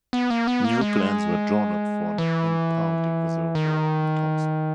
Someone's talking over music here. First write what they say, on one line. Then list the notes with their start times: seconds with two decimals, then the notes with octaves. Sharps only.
New plans were drawn up for an impounding reservoir in Thomson.
0.13 B3
0.30 A#3
0.47 B3
0.64 A#3
0.81 G#3
2.18 E3
3.55 D#3